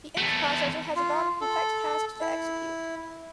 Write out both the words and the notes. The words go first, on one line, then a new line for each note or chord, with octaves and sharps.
The image processor has a lot of complex tasks to execute.
E2 A3
F4
A4
E4